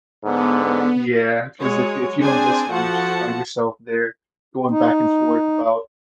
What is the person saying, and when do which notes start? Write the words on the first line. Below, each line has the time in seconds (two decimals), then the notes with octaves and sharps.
Yeah, 'cause if you if you don't listen, you just find yourself there going back and forth about
0.24 G#2 D3 B3
1.61 F#3 G#3 G#4 C#5
2.23 C4 D4 G#4 C5 D5 G#5
2.71 F3 F#4 A4 F#5 A5
4.71 D#4